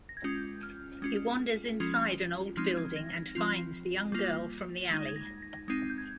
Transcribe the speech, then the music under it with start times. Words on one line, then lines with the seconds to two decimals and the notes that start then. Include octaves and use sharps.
He wanders inside an old building and finds the young girl from the alley.
0.09 A#6
0.17 G#6
0.24 G#3 C#4 F4 G6
0.63 F6
1.02 G#3 C#4 F4
1.80 F3 G#3 C#4 F4
2.57 F3 G#3 C4 D#4 F6
2.77 G#6
2.96 A#6
3.16 A#6
3.35 F3 C4 F4 C7
4.12 G3 A#3 F4
4.91 G#3 D#4 A#6
5.09 G#6
5.16 A#6
5.42 A#6
5.68 G#3 C4 D#4
5.90 G6
5.98 G#6